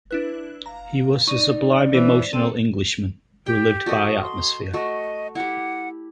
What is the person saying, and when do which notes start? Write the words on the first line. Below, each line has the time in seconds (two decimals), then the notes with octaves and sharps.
He was a sublime emotional Englishman, who lived by atmosphere.
0.11 D4 E4 B4 F#6
0.66 F5 A#5
1.27 D#4 D5 C#6 D#7
1.93 E3 C5
2.33 C4 A4 D#7
3.46 G4 G5
3.86 F#4 A4 D#5
4.22 C6
4.74 A3 F#4 D#5
5.35 E4 G4 F#5